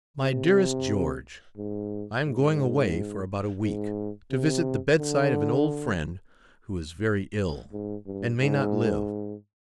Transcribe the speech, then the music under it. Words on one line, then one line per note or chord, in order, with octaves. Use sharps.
MY DEAREST GEORGE,--I am going away for about a week, to visit the bedside of an old friend, who is very ill, and may not live.
C3
G#2
G#2
G#2
C3
D3
G#2
G2
G#2